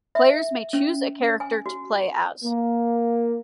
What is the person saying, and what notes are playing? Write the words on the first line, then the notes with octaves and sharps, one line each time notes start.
Players may choose a character to play as.
E5
C#4
G#5
F#4
A#3